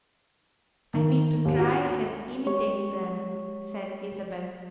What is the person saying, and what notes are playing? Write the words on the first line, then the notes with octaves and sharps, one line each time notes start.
"I mean to try and imitate them," said Isabel.
D#3
D#2
F#4
G#3 G4 C#5 C#6